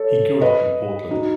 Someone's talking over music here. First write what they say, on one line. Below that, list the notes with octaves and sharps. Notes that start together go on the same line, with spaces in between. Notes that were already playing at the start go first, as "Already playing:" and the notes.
He grew up in Portland.
Already playing: A4 C#5
B4 D#5
D#4 F#4